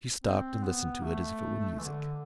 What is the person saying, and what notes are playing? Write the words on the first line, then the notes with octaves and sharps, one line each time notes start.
She stopped, and listened to it as if it were music.
C4
B3
A3
E3
D3